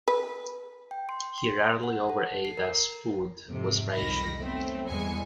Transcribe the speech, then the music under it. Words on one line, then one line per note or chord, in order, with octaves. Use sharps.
He rarely over ate as food was rationed.
B4
G5
C6
C6
F#5
A4
C7
A#4
F2 G#2 C3
C2 F2 D#3 B5 A#6
F#3 A3 B3 C4
E2 G2 B2 G#3 G#5 C#7